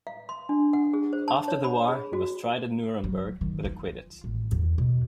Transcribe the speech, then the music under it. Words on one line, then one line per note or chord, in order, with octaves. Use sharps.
After the war, he was tried at Nuremberg but acquitted.
F5
C6
D4
F#5
G#4
C5
A5
C#5
B5
G#4
F#4
F#3
D#3
F4
A1
E2
B2